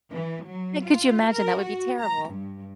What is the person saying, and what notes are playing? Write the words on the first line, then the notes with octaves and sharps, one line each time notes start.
and could you imagine? That would be terrible.
E3
F#3
F4
A#4
F#4
A#5
G2